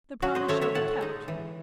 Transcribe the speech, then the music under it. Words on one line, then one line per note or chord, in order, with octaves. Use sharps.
'The promise shall be kept.
F#3 F#4
C5 D#5
A3 C#4 C#5 E5
C#5 E5
A2 F#5 A5
G#3 D#4
E3